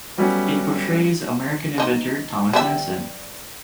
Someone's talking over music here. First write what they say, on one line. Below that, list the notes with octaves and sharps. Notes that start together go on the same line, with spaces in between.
It portrays American inventor Thomas Edison.
F#3 G3 A3 B3 C#4
A#3 D#4
G3 B3 E5